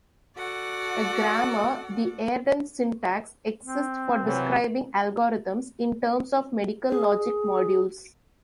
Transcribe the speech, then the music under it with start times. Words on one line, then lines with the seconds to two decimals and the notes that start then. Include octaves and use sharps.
A grammar-the Arden syntax-exists for describing algorithms in terms of medical logic modules.
0.36 F#4 A4 D5 F#5
3.64 C4
4.23 C3 E3 F#3
6.90 G#4